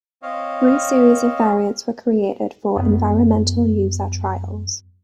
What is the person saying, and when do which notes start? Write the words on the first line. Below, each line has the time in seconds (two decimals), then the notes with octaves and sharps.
Three series of variants were created for "Environmental User Trials".
0.22 C4 C#5 D#5 F5
2.76 F#2 B3